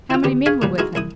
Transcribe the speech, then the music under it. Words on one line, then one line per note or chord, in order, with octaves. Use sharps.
'How many men were with him?'
E4 F4
D3 B3 G4
G#4 C#5 F5 B5 D#6
A2 C#3 G3 A#3
G#3 D#4 E4 F#4 A#4
C2 E4 D#6